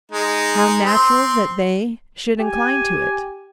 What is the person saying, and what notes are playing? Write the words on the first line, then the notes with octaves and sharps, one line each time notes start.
How natural that they should incline to it!
G#3 D#4
C4 C6
G4 G#5